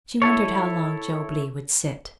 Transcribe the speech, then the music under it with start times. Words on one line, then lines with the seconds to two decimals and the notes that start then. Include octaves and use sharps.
She wondered how long Job Legh would sit.
0.22 E4 A4 C#5